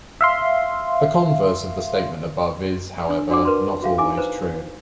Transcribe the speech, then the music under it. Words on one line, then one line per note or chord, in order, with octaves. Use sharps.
The converse of the statement above is, however, not always true.
E5 F5 C6
D4 E6
D4 F#4 D5 F#5 D6
A#4 B4 A5 C6
F#4 E5 F5
D#4 E4 G#5 D6
B4 C5 A#5